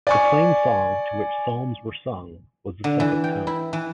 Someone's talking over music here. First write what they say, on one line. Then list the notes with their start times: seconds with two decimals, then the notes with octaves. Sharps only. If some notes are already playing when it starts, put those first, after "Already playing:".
The plainsong to which psalms were sung was the second tone.
0.07 D5 G#5 C#6
2.84 D3
3.00 E3
3.24 G5
3.47 E4
3.73 E3